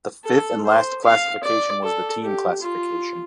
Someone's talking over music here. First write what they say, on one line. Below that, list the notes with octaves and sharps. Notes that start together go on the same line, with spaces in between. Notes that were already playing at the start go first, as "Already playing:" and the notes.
The fifth and last classification was the team classification.
A4
C5
F5
D5
A4
G4
F4